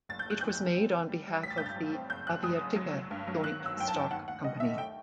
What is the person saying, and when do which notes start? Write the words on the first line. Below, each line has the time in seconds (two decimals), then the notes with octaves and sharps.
It was made on behalf of the "Aviatika" joint-stock company.
0.09 F#1 A6
0.19 G6
0.26 F#1 F#6
0.41 E2 G6
0.59 F#1
0.76 C4
0.93 C4
1.09 G3
1.27 G3
1.43 A1 B6
1.50 A6
1.58 G2 G6
1.66 A6
1.76 F#3
1.93 C4
2.10 F#1 G6
2.27 F#1 F#6
2.43 F#2 D#6
2.60 F#1
2.76 F#3
2.93 F#3
3.11 G2
3.27 F#3
3.43 D#3 F#6
3.60 G1
3.66 E6
3.77 F#2 G5
3.88 A5
3.93 D#3
4.11 D#2 F#5
4.28 D#2 F#5
4.44 G3 D#5
4.60 D#2 E5
4.78 A3 G5